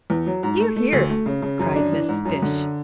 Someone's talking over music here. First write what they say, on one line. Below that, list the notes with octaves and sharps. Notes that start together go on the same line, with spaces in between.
"Hear! hear!" cried Miss Fish.
E2
F#3
G#2
A3
A3
D2
A3
C#3
C#3
F#2
D4
E3
G#2
F#2
D3